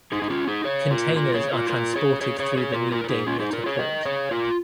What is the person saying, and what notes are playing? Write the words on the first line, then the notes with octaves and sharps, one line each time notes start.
Containers are transported through the new Damietta Port.
D#4 G#4
D#4
C#4 F4
D#4 G#4
G#4 C#5
F4 A#4
F4 A#4
G#4 C#5
F4 A#4
F4 A#4
G#4 C#5
G#4 C#5
G#4 C#5
G#4 C#5
F4 A#4
F4 A#4
F4
D#4 G#4
C#4 F4
D#4 G#4
F4 A#4
G#4 C#5
A#4 D#5
G#4 C#5
F4 A#4